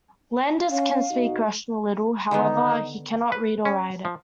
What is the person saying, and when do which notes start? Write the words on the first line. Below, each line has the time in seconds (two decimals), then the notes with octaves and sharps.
Landers can speak Russian a little; however, he can not read or write it.
0.71 C#4 F5
1.11 B1 D#4 F#4
2.31 D3 D#3 B3 D#4
3.32 B4
3.65 C#4
4.05 F3